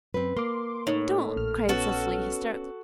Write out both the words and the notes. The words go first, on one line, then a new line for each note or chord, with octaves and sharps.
"Don't," cried Cecily hysterically.
F#2 C4 B4
A#3 C6 D6
A2 D#4 C#5
A#1 F6
B3 C#4 F#4 A4